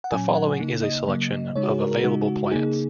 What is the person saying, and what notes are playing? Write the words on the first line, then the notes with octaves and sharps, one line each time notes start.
The following is a selection of available plants.
F#5
A#2 F#3 C#4 G#5
F#5
C#3 A#3 D#4
D#5
C#3 F#3 A#3
C#3 G#3 D#4 C#5
F#4
G#4
A#4
A#4
C#3 G#3 D#4 F#4
F#4
F#4
C#3 A#3 D#4 G#4